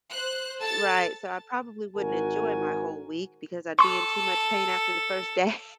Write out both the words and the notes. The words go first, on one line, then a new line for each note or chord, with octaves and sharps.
Right. So, I probably wouldn't enjoy my whole week because I'd be in too much pain after the first day.
C5 F#6
A4 A5 E6 A6
G#1 F#4 A#4 G#5
A4 C6 C#6